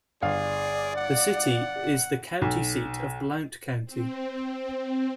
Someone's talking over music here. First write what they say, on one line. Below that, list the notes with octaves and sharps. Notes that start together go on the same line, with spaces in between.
The city is the county seat of Blount County.
G1 G#4 D5 F5
F#5
B1
C4